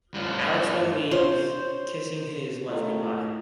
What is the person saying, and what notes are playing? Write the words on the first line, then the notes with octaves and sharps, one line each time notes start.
Alex then leaves, kissing his wife good-bye.
G2 F3
F4 C5 C#5
D#3 A3 E4 F4 C#5